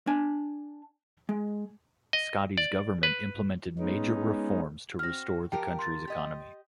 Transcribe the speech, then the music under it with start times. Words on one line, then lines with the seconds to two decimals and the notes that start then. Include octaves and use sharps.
Scotty's government implemented major reforms to restore the country's economy.
0.07 D4 G#5
1.29 G#3
2.13 D#5
2.58 D5
3.03 B4
3.79 G#3 B3 C#4 D#4
4.99 C4 F#4 F6 A#6
5.52 F3 G4 A#4 G5
5.79 C6 A6
6.07 G4 D#5